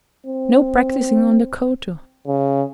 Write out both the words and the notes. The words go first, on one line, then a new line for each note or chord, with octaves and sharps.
No practising on the koto!
C4
C#3